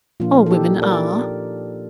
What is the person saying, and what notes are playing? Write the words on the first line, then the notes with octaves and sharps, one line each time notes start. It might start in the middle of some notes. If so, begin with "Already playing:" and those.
All women are.
A#2 F3 A#3 D4 F4
A4
D#4 G4
A#4 D5